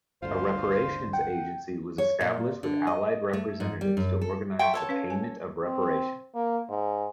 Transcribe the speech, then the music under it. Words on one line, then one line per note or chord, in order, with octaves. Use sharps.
A Reparations Agency was established with Allied representatives to organize the payment of reparations.
G1 D2 D3 F4 C5
F#5 G5
C#5
A#2
D3
D#5
A3
G#2
G3
F#2
A4
A4 E5 F#5 G5 C6 C#6
A4 C#5 A5
C#4 B4 F5
G#5
C4
A#3
G#2